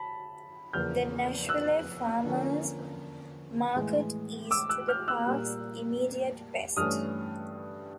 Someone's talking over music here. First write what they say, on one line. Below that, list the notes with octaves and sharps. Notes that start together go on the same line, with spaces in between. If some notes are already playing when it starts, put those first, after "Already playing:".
The Nashville Farmers' Market is to the park's immediate west.
Already playing: A5 B5
E2 C#3 F3 A#3 F6 G6
E6 F#6
D3 F3 A#3 C#4
A2 E3 G#3
D6 E6
E6 F#6
F6 G6
E6 F#6
A#2 G3 A#3
G2 E3 A3 C#4 D#6 F6